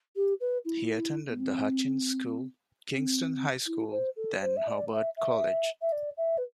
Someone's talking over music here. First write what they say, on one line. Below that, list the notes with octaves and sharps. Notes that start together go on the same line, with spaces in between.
He attended the Hutchins School, Kingston High School, then Hobart College.
G4
B4
E4
B3
C4
C4
E4
C5
A4
C5
E5
D5
E5
E5
E5
D5
E5
B4